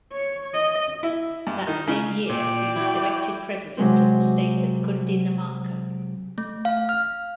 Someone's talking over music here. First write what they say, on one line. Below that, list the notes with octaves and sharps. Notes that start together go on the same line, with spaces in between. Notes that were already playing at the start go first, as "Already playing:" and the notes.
That same year he was selected president of the State of Cundinamarca.
C#5
D#5
E4
G2
D#3
C#3
A#2 D5 G5
E4 F#4
C3 F#3 G#3 C4
A3
F5
F6